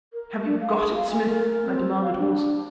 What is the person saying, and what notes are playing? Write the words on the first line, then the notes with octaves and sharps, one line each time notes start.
"Have you got it, Smith?" I demanded hoarsely.
A#4
D4
F5
G#4
F5
G#5
A#4
C4
F5
D4